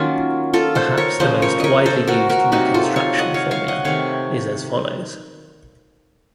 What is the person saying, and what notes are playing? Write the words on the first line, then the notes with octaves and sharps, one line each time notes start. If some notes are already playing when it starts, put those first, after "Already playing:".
Perhaps the most widely used reconstruction formula is as follows.
Already playing: D#3 F#3 A#3 C#4 F4
F4 A4
A4 C5
A#4 C#5
C#3 F3 A3 C5 D#5
A#4 C#5
A#4 C#5 D#5
A4 C5
F#4 A#4
F#4 A#4
C3 F#3 A#3 D#4 F#4
F4 A4
C#5 F5
D#5 F#5
C#5 F5
C#5 F5
D#5 F#5
C3 D#3 A3 C#5 F5